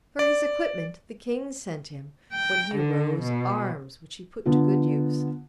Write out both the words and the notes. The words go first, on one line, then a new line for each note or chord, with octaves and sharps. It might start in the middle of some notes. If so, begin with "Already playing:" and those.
For his equipment the King sent him, when he arose, arms which he put to good use.
D5
G5
D3
B2
D3 B3 F4